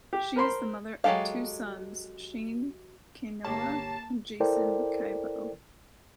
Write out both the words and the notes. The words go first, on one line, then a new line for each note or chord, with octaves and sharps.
She is the mother of two sons, Shane Kainoa and Jason Kaipo.
G4
A#4 C5 B5 C6
F#3 G#3 G4 A4 F5
G1 A#3 G4 C#5 A5
E4 A4 A#4 C5 D5 G5